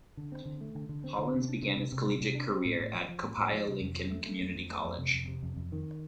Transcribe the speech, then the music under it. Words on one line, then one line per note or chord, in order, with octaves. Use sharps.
Hollins began his collegiate career at Copiah–Lincoln Community College.
D3
C4
D3
A3
D3
D3
C4
D3
C3
D4
C3
C3
C3
G3
C3
D4
C4
A2
A2
F3
F3
A2
A2
F3
C3
F2
F3
A3
A3
F2
F3
A3
F2
C3
F2
C3
F2
F2
D#3